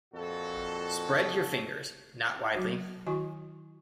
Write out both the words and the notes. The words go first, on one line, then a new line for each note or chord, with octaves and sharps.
Spread your fingers, not widely.
F2 A#2 F#4 A4
F#3 F#4
D#3 E4 F#4 D#5 G#5 C#6